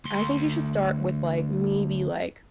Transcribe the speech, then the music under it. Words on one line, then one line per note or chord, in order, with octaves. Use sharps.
I think you should start with like maybe, like,
D2 C6